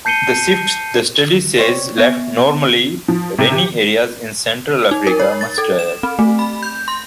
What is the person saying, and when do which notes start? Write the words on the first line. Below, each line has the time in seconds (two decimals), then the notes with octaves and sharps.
The shift, the study says, left normally rainy areas in Central Africa much drier.
0.05 A5 G6 C7 C#7 D#7 G7
1.58 C4 C#5 D5
1.98 B3 E5 G#5
3.08 F3
3.39 C3
3.52 G4
4.91 D#4
5.07 A#4
5.20 C#5
5.41 A6
5.58 A4
5.79 E7
6.03 C4
6.19 A3
6.39 B5
6.63 G6
6.88 C6